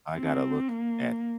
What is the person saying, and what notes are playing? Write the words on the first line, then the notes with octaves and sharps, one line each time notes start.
I gotta look at
C4
A#3